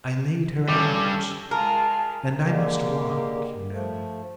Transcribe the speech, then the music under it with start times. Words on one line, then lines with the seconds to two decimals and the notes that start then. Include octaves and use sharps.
I laid her out; and I must walk, you know.
0.68 G2 G3 C#4 A4 D6
1.51 G#3 F4 A#4 A5
2.46 D3 G#3 A#3 G4
3.71 F3 A3